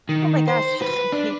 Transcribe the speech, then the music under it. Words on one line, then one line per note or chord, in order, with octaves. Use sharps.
Oh my gosh, I think
D#3
C5
B4
D4